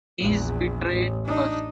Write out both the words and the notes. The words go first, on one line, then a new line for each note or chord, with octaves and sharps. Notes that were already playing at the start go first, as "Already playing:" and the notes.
He's betrayed us.
A#1 E2
A1
D4 D#4